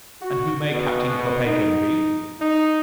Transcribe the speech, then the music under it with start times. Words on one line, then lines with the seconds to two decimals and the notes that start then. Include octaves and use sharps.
"And who may Captain Kopeikin be?"
0.21 F#4
0.73 B2
1.45 D#4
2.40 D#4